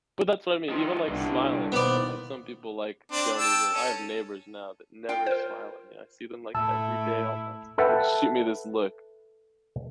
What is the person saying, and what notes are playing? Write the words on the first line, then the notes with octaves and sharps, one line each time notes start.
But that's what I mean, even, like, smiling at them, like, some people, like, don't even I have neighbors now that never smile at me, I see them, like, every day almost, and they just shoot me this look.
D#3 F3
C2 G2 A#2 D3 E4 G4
B2 D#3 A#3 B3 E4 C5 D5
C4 D4
G5 A5 E6
C#4 A4
F4 G5
A#4 C5
A2 A3 E4 A5 E6
A4 B4 E5 F#5 G5 A5